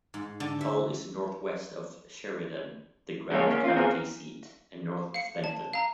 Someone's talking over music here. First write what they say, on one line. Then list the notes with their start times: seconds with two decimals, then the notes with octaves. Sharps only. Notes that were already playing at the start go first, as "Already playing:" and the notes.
Tull is northwest of Sheridan, the Grant County seat, and south of Benton.
0.14 G#2
0.40 D3
0.61 E5
3.32 D3 G#3 A#3 C#4 C#5
3.47 A#3 C#4
3.64 C4 F4
3.76 B3 C4 G#4 A#4
5.14 F5 C#7
5.44 A5
5.73 F5 A#5